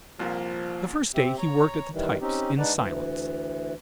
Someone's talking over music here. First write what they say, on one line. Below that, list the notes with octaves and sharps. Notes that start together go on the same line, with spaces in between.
The first day he worked at the types in silence.
C2 A#2 F3 A#3
C4 G4 E5
C#5 A#5
D#3 E3 G3
C4 C#4 D#4 G4
G#3 D4 D#4 B4 D5 F#5
D2 E3